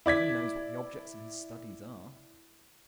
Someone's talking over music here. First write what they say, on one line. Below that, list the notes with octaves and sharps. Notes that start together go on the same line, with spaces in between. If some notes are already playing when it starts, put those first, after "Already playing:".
Heaven knows what the objects of his studies are.
E4 D5 G#6 B6